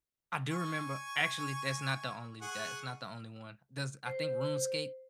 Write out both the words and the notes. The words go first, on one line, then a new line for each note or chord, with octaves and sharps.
I do remember actually, that's not the only that it's not the only one, there's, I think, RuneScape
G#5 C#6
G#4 F#5 C#6
C5